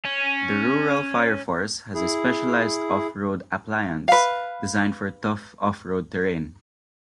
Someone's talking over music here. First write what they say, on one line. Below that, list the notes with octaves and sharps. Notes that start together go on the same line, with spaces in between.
The rural fire force has a specialised off-road appliance designed for tough off-road terrain.
C#4
E4 G#4
B4 F5